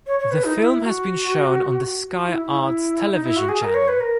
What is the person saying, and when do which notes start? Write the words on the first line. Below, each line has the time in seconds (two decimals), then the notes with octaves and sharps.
The film has been shown on the Sky Arts television channel.
0.07 C#5
0.20 C#5
0.31 B4
0.44 D#4
0.56 E4
0.83 F#4
2.10 F#4
2.27 E4
2.44 E4
2.61 E4
3.12 D#4
3.23 E4
3.37 F#4
3.49 G#4
3.62 A#4
3.74 C#5
3.88 B4
4.00 A#4